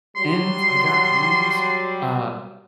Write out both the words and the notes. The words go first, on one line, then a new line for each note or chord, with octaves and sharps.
And I got hives, uh,
F#3 G3 C6